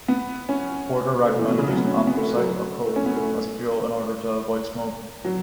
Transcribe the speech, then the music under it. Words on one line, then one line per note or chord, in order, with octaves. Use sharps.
Porter recommended using anthracite or coke as a fuel in order to avoid smoke.
B3
C#4
A3
E3
B2
C#3
F#3
B3
C#4
B3
B3
A3
A3
F#3
A3
C#4
B3
A3
F#3